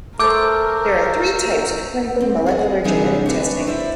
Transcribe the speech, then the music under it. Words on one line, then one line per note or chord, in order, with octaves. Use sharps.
There are three types of clinical molecular genetic testing.
A3 A4 A#4 C5 C#6 D6 E6 G6
C4
G#4 C#5 D#5
C3 E3 G3 D4 D#4 G#4
D2 D4 B4 C#5
E4 C5 D5 E5